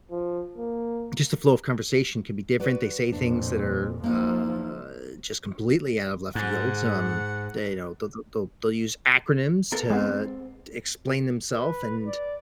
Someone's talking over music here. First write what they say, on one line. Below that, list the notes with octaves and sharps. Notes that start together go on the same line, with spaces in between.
just the flow of conversation can be different. They say things that are, uh, just completely out of left fields, um, they you know, they'll th they'll they'll use acronyms to explain themself, and,
F3
A#3
F#4 B4 D5
F2 A#2 D4
F3 A#3 D#4
G#2 F#5
B3 A4 A#4
G#3 B3 C4
B4
D5